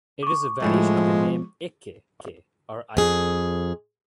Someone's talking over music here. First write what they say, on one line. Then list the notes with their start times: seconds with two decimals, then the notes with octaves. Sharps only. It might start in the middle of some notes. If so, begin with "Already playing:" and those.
It is a variation of the name Ekke or Eike.
0.23 C#6 D6
0.62 A2 F3 G#3 A3
2.97 F2 G#4